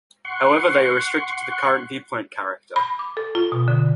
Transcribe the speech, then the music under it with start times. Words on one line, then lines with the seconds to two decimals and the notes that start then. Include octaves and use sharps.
However, they are restricted to the current viewpoint character.
0.25 F#5 C6 C#6
2.76 B5
2.99 D6
3.17 A4
3.35 F4
3.52 B2
3.68 D3